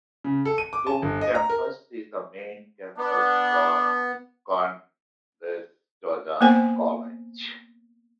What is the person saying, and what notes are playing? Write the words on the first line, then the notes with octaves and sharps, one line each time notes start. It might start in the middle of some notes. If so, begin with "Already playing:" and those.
Doon Campus is the main campus for Conestoga College.
C#3
A4
D#7
D6
A5
G1
D#5
A#5
A#4
B3 D4
A#3 B3 C5 G#5